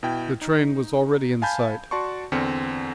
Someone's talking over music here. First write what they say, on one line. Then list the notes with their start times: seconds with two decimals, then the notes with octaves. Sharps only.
The train was already in sight.
0.03 B2 E4 G5
0.41 D#4
1.42 F5 G#5 A5 B5 G6
1.91 F#4 D5 A5 C6 C#6
2.32 E2 D3 C4 F6 C#7